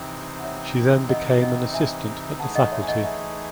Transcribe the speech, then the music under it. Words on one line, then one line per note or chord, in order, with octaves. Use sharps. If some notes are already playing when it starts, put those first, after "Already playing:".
She then became an assistant at the Faculty.
Already playing: C3 E3 C4 D#4 E5
F#5
C#5 E5
D#5 F#5
D#5 F#5
E5 G#5
E3 A3 D#4 G#4 F#5 A5
D#5 F#5
C#5 E5
G#5
D#5 F#5
E5 G#5